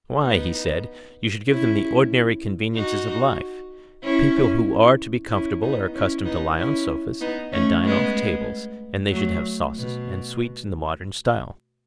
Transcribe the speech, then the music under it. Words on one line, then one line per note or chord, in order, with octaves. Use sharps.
Why, he said, you should give them the ordinary conveniences of life. People who are to be comfortable are accustomed to lie on sofas, and dine off tables, and they should have sauces and sweets in the modern style.
B3 D#4
C#4 E4
D#4 F#4
C#4 E4
C#4 E4
B3 D#4
C#4 E4
B3 D#4
C#4 E4
B3 D#4
A3 C#4
G#3 B3
F#3 A3
B2